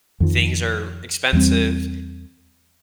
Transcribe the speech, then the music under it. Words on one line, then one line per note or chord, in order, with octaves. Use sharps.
things are expensive,
F2 D#3 F3
E2 G3 C4